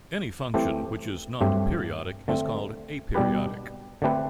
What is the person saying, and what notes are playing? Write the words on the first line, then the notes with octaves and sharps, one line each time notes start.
Any function which is not periodic is called aperiodic.
E3 A3 C4 G4
G2 F#3 A3 C4 G4
D3 A3 C4
B2 G3 D4 G4 B4
D3 A3 C4 G4 B4